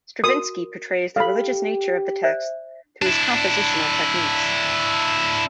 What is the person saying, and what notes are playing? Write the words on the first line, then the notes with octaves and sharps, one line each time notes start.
Stravinsky portrays the religious nature of the text through his compositional techniques.
F#4 A#4 D#6
G4 A4 F5 B5
C5 D5 E5
D4 E4